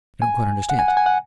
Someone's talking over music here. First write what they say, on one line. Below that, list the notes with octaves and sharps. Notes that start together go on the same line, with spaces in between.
"I don't quite understand."
G#5
F#5
G#5
F#5
G#5
F#5